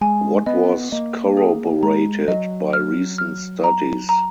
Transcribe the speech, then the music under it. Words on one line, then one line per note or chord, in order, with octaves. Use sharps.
What was corroborated by recent studies.
G#3 G#5
B3 D#5
A#3 D#5
G#4
G#3 A#5
F#3 D#5
F6
F6
A#5
A#5